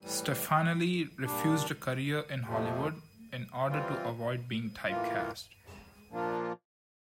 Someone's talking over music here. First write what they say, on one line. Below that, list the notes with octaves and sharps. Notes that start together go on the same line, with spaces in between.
Stefanelli refused a career in Hollywood, in order to avoid being typecast.
A2 E3 G3
A#2 G3 D4
F2 C3 F3 A3
E3 G3 C4 F4
A2 E3 A#3 F4
A#2 F3 A#3 D4 F4